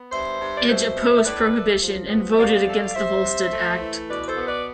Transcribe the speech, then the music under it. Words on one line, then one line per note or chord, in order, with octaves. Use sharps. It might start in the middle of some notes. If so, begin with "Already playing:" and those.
Edge opposed prohibition and voted against the Volstead Act.
Already playing: B3
G2 C5 E5
G2
D5
B2 C5 E5
B3
E5
A2 B4 D5
A3
F3
B3
E5
C3 D5 F5
A3
F5
C3 C5 E5
C3
A3
E3
B2 B4 D5
A4 C5
B3
B4 D5